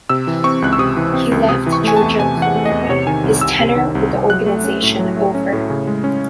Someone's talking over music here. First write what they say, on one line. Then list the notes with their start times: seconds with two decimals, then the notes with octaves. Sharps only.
He left Georgia permanently, his tenure with the organization over.
0.09 C3 E6
0.27 E3
0.44 C4 C#6
0.62 C#2 F#6
0.73 E6
0.79 C3 D#6
0.97 E3
1.14 C4
1.32 C#2
1.49 C3 D#6
1.66 E3
1.73 C#6
1.84 A3 G#5
1.96 A5
2.02 E2
2.20 C3 G#5
2.37 E3
2.42 F#5
2.55 A3
2.65 D#5
2.71 E2
2.89 C3 C#5
3.07 D#3 G#5
3.24 C2
3.41 C2 E6
3.60 C3
3.76 D#3
3.95 C2
4.12 C2
4.30 F#3 F#6
4.46 A3
4.64 C#4
4.82 A2
4.99 F#3
5.16 A3
5.35 C#4
5.52 A2
5.70 C#3
5.87 G#3
6.04 C#4